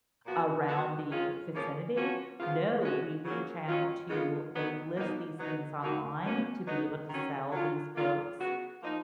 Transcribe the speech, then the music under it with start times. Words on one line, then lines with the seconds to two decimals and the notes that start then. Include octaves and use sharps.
around the vicinity? No. We reach out to They list these things online to be able to sell these books
0.26 A#2 F3 B3 F#4
0.68 F#3 B3 F#4
1.10 D#3 G#3 C#4 F4
1.54 C#3 F3 A#3 C#4
1.96 F3 A#3 C#4 F#4
2.39 C#3 F3 B3 F4
2.82 B2 G#3 C#4 F#4
3.24 C#3 F#3 A#3 C#4
3.67 A#2 F#3 C#4 F4
4.10 C#3 G#3 B3 F4
4.53 F#3 B3 D#4
4.96 B2 A#3 D#4 F#4
5.39 F#3 B3 D#4
5.81 D#3 F#3 A#3 D#4 F#4
6.24 B2 A#3 C#4
6.67 F#3 B3 D#4
7.10 D#3 F#3 C#4
7.52 F#3 C#4 F4
7.96 D#3 A#3 F4
8.38 C#3 F#3 B3 F#4
8.82 F3 A#3 D#4